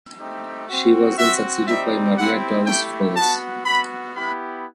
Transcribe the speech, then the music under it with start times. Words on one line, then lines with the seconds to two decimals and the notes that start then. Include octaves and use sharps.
She was then succeeded by Maria Torres-Flores.
0.19 A3 C4 D#4 G4
0.69 C4 F#4
1.18 C4 F#4 E5
1.68 G3 C4 D#4 E5
2.17 C4 E4 G4 F#5
2.67 A3 E4 G4 G5
3.16 B3 F#4 A5
3.66 B3 F#4 B5
4.15 B3 E4 G4 B5